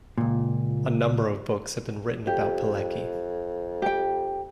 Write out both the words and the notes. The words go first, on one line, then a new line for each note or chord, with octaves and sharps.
A number of books have been written about Pilecki.
C#2 A#2
F2 G4
G4 G5